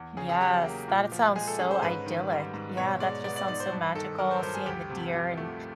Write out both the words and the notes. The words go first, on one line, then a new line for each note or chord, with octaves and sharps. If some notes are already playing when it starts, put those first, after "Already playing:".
Yes, that it sounds so idyllic. Yeah, that just sounds so magical seeing the deer, and
Already playing: E2
C#3 G#4
G#4
F#3 G4
A#3
A#2
F3
G#3 G#4
A4
C#4 G#4
C5
G#2 B4
D#3
G3
G#2
B2 C#5
G#3 D5
B3 D5
D5
D#4 D5
C5
G2
D#3 A4
F#3 A#4
C5
G2 C5
G#4
D2 G4
C3
F3
A3